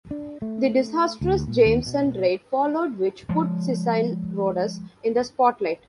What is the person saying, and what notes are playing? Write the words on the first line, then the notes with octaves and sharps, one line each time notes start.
The disastrous Jameson Raid followed which put Cecil Rhodes in the spotlight.
D4
A3
D2
A#2
D#2
B2
F3 G#3